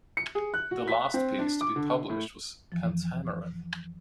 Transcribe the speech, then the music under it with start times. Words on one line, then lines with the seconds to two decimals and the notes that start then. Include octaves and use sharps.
The last piece to be published was ""Pentameron"".
0.17 C#7
0.35 G#4
0.54 F#6
0.71 F#4
0.88 B6
1.14 C4
1.39 D4
1.61 D6
1.76 D3
2.09 A2
2.72 F2 E3 F3